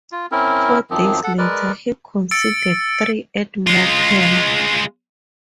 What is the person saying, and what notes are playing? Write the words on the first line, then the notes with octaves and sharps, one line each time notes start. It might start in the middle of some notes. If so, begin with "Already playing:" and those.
Four days later, he conceded three at Morecambe.
F4
C4 C#4 E4 A#4
F#2 D#3 F3 C4
A4 F#5
G#3 A#4 B4 D5
E6 A6 C#7 D7
G#3 F4